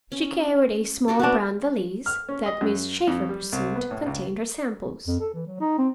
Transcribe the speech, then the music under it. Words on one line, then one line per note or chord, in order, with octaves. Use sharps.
She carried a small brown valise that Miss Shaeffer presumed contained her samples.
C#4
F#4 G4 A4
B3 C4 D4 F#4 G4
F6
C#4
D#5
F#2
F2
G3
C2
B3
A2
C#2
F2
A4
E3
F#3
D#4
C4